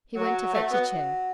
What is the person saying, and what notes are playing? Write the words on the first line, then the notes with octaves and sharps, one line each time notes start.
He went to fetch a chair.
F#3
F#3 A3
B3